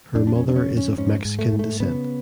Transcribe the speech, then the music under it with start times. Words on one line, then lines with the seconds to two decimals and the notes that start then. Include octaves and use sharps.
Her mother is of Mexican descent.
0.15 F2 D4
0.27 D4
0.36 C#4
0.43 C#3
0.48 D4
0.56 C#4
0.70 F2
0.77 C#4
0.97 G#2 C#4
1.25 G#2
1.39 A3
1.53 G#2
1.59 A3
1.80 C#3 B3